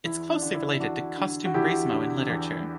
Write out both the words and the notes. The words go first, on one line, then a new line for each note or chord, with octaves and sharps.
It's closely related to costumbrismo in literature.
E2 E4
D4
D3
E4
E2 D4 F#4
D3
F#4
E2 E4 G4
D3
E2